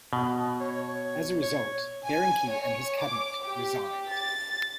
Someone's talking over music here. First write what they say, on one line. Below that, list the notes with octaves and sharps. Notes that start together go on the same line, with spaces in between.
As a result, Berinkey and his cabinet resigned.
B2
C#5
C#5
G#5
C#5
D6
G4
A6